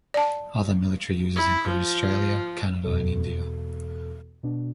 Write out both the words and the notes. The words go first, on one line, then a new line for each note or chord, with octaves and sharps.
Other military users included Australia, Canada and India.
D5 A5
E4
F3
E2 B2 A4
B2 D4